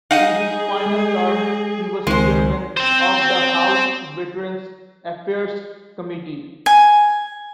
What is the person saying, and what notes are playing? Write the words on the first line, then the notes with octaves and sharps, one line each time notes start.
In his final term he was chairman of the House Veterans' Affairs Committee.
D#4 G#4 F5 F#5 D#7
G#3
C#2 D#3 G#3 C4 C5
C4 C5
G#5